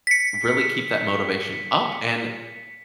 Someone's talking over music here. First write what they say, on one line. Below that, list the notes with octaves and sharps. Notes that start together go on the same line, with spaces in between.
really keep that motivation up and
B6 C#7